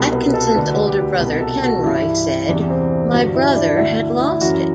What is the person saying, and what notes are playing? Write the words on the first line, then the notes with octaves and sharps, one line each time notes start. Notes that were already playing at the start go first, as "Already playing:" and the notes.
Atkinson's older brother Kenroy said My brother had lost it.
Already playing: C2 B2
B4
A4
D2 D3 B4
G4
C2 B2
A4
F#4
G2 E3 E4
E2 C3 E3 D4
C4
G2 D3 F#4
E4
D4
D2 D3 E4
E4
F#2 E3 F#4